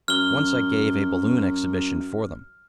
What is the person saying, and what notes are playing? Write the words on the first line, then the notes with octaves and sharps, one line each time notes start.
Once I gave a balloon exhibition for them.
F#2 F6 G7